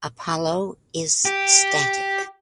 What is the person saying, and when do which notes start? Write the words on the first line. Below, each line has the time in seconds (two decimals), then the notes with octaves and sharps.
Apollo is static.
1.25 G4